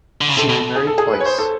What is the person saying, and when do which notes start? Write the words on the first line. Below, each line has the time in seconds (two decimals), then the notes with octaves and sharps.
She remarried twice.
0.21 D3
0.28 C#3
0.37 C3 A4
0.50 B2
0.76 G#4
0.87 A4
0.98 G#4
1.13 B4
1.20 C#5
1.26 C5
1.38 A4